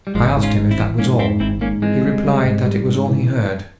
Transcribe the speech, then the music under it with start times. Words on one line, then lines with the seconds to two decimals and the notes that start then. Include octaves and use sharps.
I asked him if that was all; he replied that it was all he heard.
0.07 G3
0.15 G#1 F3 G#3
0.37 G#2
0.43 C#4 F4
0.57 G#1
0.71 C4 E4
0.78 E3
0.98 G#2 A#3 C#4
1.19 G#2 C4 E4
1.40 G#1 C4 E4
1.61 G#2 A#3 C#4
1.82 E3 G#3 C4
2.03 G3
2.24 G3
2.45 G#2
2.66 G3
2.86 G#2
3.08 E3